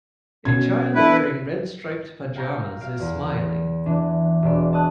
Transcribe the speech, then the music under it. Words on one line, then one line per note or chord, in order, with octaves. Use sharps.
A child wearing red striped pajamas is smiling.
B2 C#4 G#6
B3 D4 E4 A4 B4
F5 G5 A#5 C#6
F5 D7
E2
E3 D4
E1 D5
A5 C#6 D#6 F#6